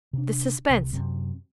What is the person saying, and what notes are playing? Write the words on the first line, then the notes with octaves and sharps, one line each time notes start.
This suspense!
C3 D4
C2 C3
F#2 C3